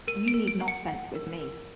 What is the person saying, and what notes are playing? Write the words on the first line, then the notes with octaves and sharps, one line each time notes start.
You need not fence with me.
A#4 D#7
D7
A#4
D7
F#5
C#7
F#5
A#4
A#4